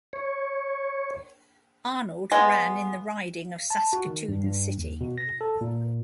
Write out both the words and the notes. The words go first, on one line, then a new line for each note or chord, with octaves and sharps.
Arnold ran in the riding of Saskatoon City.
C#5
G#3 B3
A5
F#4
D#3
G2
G2
D#2
B2
A#6
A4
A#2